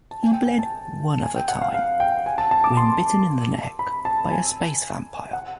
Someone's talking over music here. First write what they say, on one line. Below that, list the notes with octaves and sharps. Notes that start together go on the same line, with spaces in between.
He bled one other time, when bitten in the neck by a space vampire.
A5
G#5
G5
G#5
A5
G#5
G5
F#5
F5
F5
G5
G#5
A5
A5
D6
C6
B5
A5
G#5
F#5